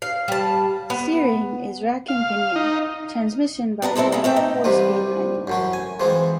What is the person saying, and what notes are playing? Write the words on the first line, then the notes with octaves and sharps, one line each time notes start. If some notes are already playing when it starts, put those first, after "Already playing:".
Steering is rack and pinion, transmission by the way of a four-speed manual.
F5
G3 A5
B3
F5
D#4
B3 D4 A#4 B4
C4 E4 A4 C5 D5
A#3 B3 G#4
A3 C4 E5 G5
D#4
C2 C3 G3 B4
F#2 A2 F#3
G#5
F2 E3 F3 G#3